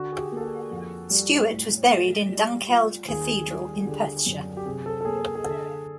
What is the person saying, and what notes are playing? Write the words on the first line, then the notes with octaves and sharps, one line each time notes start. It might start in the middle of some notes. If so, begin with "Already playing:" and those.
Stewart was buried in Dunkeld Cathedral in Perthshire.
Already playing: D3 F#4
G#4
G4
A#3
A4
G#4
F2
G3
A2
A3
G3
F4
D#2 G#4
G3
G#4
D3 G4
F#2
G4
C3 G#4
A4
A4
A#3 G#4
G#4
D3 A4